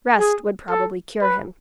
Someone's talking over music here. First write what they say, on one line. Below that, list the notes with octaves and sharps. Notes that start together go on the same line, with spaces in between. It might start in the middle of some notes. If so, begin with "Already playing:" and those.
Rest would probably cure him.
G#4
A4
B4